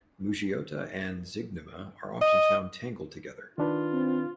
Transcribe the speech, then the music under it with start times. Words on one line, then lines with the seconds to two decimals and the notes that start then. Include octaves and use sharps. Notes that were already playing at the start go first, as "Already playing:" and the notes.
"Mougeotia" and "Zygnema" are often found tangled together.
2.22 D#5
3.58 D#3 D4 F4 B4
3.92 C4